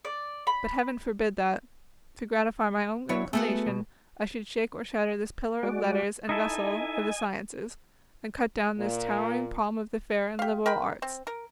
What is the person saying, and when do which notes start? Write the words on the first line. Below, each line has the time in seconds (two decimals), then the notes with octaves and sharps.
But heaven forbid that, to gratify my own inclination, I should shake or shatter this pillar of letters and vessel of the sciences, and cut down this towering palm of the fair and liberal arts.
0.05 D5
0.47 B5
3.09 F#3 D4 E4 C#5
3.33 A3 B3 F#4 G#4 E5
3.68 B2
5.63 G#3 F#4 D5
6.29 D#4 E4 A4 D#5 G#5
8.79 A#2
10.39 G4 F5
10.66 A#4 G5 B5
11.02 C4
11.27 A#4